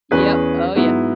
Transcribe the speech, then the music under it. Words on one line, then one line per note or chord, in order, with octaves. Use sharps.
yep, oh, yeah.
E2 E3 C#4 G#4 B4
G#2 F#3 B3 E4